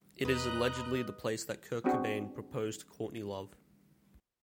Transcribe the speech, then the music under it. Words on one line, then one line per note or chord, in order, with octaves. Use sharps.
It is allegedly the place that Kurt Cobain proposed to Courtney Love.
E2 B4 D#5 A#5 F#6
B3 C4 D4 F#4 G#4 C5